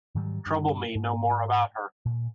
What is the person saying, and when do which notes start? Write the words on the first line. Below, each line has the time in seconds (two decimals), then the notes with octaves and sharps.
Trouble me no more about her.
0.15 G#2 D#3 F#3 G3
0.46 G2
0.95 G#2
2.06 A#2